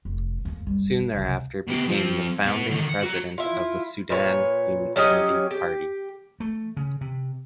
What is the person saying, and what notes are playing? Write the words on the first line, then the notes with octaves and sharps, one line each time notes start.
Soon thereafter became the founding president of the Sudan Unity Party.
F1
D#2 A#3
F#1 G3
C2 C#3
B2 G4
F3 C4
B2 B3
D3 D#3
F#5
F#4 A#5
E4 F4
A#2 B4 C#5
F#3 C#4 G4 D#5
G4
A3
C#3
C3